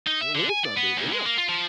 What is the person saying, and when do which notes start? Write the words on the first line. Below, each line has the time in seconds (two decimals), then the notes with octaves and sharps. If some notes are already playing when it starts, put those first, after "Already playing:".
You know, what his son did to him
0.07 D#4
0.21 E5
0.35 D3
0.50 G#5
0.65 D5
0.77 B3
0.97 D2
1.12 G#3
1.25 A#3
1.38 F4
1.49 F3